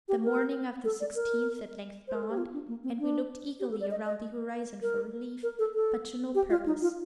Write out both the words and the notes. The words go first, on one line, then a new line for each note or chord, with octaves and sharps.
The morning of the sixteenth at length dawned, and we looked eagerly around the horizon for relief, but to no purpose.
G4
A#4
A4
D5
A#4
C5
A#4
A4
G4
F4
D4
A#3
C4
D4
G4
A4
D5
D#5
D#5
A#4
A#4
A4
A4
G4
F4
D#4
F4